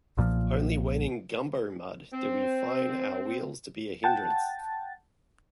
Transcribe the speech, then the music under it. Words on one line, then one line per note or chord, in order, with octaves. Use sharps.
Only when in gumbo mud did we find our wheels to be a hindrance.
B1 A#2 D#3 F3
C4
F#5 G5 A5 A6